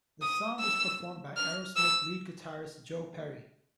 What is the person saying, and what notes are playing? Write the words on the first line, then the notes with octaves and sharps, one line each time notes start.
The song was performed by Aerosmith lead guitarist Joe Perry.
D#6
E6
F6
E6